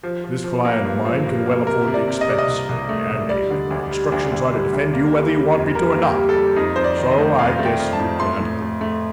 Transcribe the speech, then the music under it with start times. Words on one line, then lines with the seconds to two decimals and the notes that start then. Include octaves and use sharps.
"This client of mine can well afford the expense, and anyway, my instructions are to defend you whether you want me to or not, so I guess you can't help yourself."
0.03 F3
0.24 F3
0.44 F3
0.65 A#3
0.85 G2
1.05 F3
1.26 G2
1.46 A#3
1.67 C3 A#4
1.87 C3
1.94 D5
2.08 C3
2.21 D#5
2.28 C3 D5
2.39 D#5
2.48 C2
2.69 C2
2.89 A3
3.10 C2
3.29 G3 D5
3.51 D3
3.70 D2
3.91 G3
4.12 D2
4.32 D2
4.52 G3
4.73 D2
4.93 A#3
5.14 G3
5.34 G3
5.54 F2
5.75 G3 A#4
5.95 A#3
6.02 G4
6.15 G3
6.29 A4
6.36 G3
6.56 F2 D#4
6.76 F2 C5
6.84 D5
6.97 D#3
7.11 D#5
7.18 A3
7.39 F2 F5
7.59 A3
7.65 G5
7.80 F2
7.93 A5
7.99 F2
8.20 A3 C6
8.40 A2
8.61 A3
8.81 A3